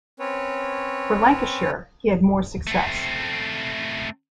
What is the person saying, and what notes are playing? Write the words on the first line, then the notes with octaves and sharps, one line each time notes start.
For Lancashire he had more success.
C4 C#4 B4 C#5
A3 C4